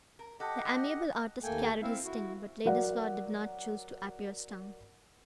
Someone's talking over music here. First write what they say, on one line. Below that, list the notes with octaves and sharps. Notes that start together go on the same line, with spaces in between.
The amiable artist carried his sting, but Ladislaw did not choose to appear stung.
A#4
G4 A4 D#5 F#5
D#2 A3 A#3 A4 G5 G#5
C4 E4 E5 F5
E4 F#4
F#3 A#4 D5 F#5